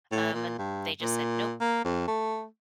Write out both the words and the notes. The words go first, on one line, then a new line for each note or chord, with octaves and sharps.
Um, and they just said, nope.
A2
A#2
G2
A#2
A#3
F2
A3